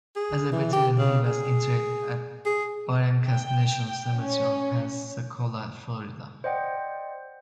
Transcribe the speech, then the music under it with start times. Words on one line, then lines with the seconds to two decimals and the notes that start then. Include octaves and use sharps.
As a veteran he was interred at Barrancas National Cemetery in Pensacola, Florida.
0.16 G#4
0.52 E3
0.73 G4
0.98 C#3
1.26 G#4
2.46 G#4
3.28 G5
4.18 C#4
6.44 C5 D5 D#5 F#5 G5